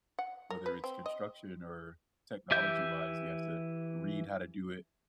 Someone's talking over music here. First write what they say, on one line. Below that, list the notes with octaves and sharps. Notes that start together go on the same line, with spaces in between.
Whether it's construction or technology wise, you have to read how to do it.
F#5
A#4
B4
C4
D#5
E3 G4 E5 G6